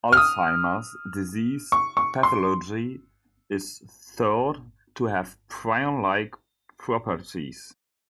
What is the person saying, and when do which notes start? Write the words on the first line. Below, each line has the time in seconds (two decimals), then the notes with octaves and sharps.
Alzheimer's disease pathology is thought to have prion-like properties.
0.12 F6
0.17 D#6
1.72 C#6
1.97 C#6
2.23 C6